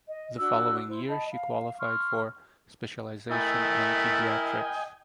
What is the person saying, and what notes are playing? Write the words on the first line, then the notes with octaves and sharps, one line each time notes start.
The following year she qualified for specialization in pediatrics.
D#5
D4 F#4 E6
E4 C5
D#5 A5 B5
F5
C6 C#6 F6
A3 E4 A#4 D#5 G5 G#5